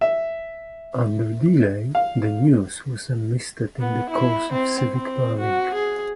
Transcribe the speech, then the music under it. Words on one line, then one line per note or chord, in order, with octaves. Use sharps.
Under Dealey, the News was enlisted in the cause of civic planning.
E5
F5
B3
E4
C4
C4
F#4
G#4